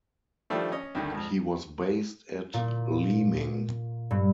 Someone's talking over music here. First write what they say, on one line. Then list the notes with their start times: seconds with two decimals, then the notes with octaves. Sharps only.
He was based at Leeming.
0.50 D#3 F3 G3 A3 D4
0.72 C#4 D#5
0.95 D2 G2 D3 D#3
1.13 F2 G#2
2.54 A#2
4.11 G2